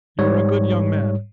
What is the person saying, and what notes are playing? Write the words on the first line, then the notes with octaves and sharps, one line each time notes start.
You are a good young man.
G#2 G3 C#5